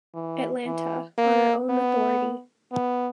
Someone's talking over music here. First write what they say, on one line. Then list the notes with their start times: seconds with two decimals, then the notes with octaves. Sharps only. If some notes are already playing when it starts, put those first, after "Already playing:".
Atlanta: On Our Own Authority!
0.14 E3
0.66 E3
1.18 A#3
1.69 B3
2.72 B3